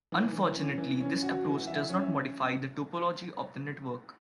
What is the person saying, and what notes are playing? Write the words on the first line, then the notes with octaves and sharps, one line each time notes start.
Unfortunately, this approach does not modify the topology of the network.
E3
E3
C#4
E3
C#4
F#4
E3
E5
C#4